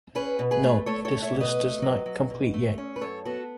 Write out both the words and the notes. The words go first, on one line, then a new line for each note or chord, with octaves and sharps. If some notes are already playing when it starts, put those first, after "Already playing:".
Note: This list is not complete yet.
C#4 G#4 B4
B2
G#4 B4
A3
A3 A4 C#5
A4 C#5
A3
C#5 E5
B2
B4 D#5
A3
F#3
F#3
B2
A3
C#4
B4
F#2 A4 C#5
B3 F#4 A4